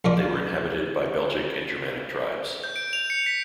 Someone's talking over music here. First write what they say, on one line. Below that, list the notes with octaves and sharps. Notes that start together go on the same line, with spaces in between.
They were inhabited by Belgic and Germanic tribes.
A#1 F3 A#4 D5
G6
D7
F7
C#7
B6